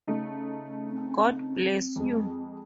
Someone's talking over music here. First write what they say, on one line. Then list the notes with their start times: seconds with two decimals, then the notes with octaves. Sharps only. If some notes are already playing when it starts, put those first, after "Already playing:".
God bless you.
0.07 C#3 A3 D#4
0.88 C4
1.96 F2 G#3